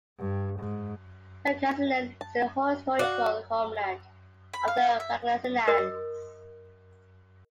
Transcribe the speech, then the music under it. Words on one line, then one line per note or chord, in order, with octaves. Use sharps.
Pangasinan is the historical homeland of the Pangasinans.
G2
G#2
A5
F#4 D5 F5 F#5
B5
F5
E5
A#4 D#5